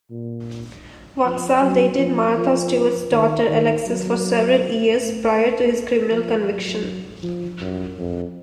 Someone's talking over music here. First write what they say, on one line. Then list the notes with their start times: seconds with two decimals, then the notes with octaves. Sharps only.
Waksal dated Martha Stewart's daughter, Alexis, for several years prior to his criminal conviction.
0.11 A#2
1.24 F3
1.61 F#3
1.98 F3
2.37 F3
3.11 D#3
3.49 D#3
3.86 F#3
4.98 A3
6.11 F3
6.48 F#3
7.23 F3
7.61 F#2
7.99 F2